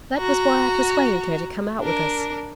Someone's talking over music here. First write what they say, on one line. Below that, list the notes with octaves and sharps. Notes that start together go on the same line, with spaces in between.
That was why I persuaded her to come out with us.
F#4 A#5
D4 A#4